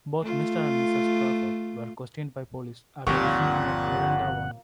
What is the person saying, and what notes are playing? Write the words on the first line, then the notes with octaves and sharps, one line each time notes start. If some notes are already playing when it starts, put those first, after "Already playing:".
Both Mr. and Mrs. Crawford were questioned by police after receiving a Miranda warning.
A3 F4
G1 D#2 A#2 F3 C4 G4 F#5 C#6